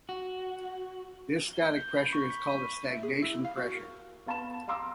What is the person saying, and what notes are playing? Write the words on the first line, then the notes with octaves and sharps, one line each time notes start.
This static pressure is called the stagnation pressure.
F#4
G7
G6
B5
C#6
B6
D#7
E5
G#4
E4
F5
F#4
A#4
B3 F5 A5 B5 E7
F5 A#5 C6 D6 E6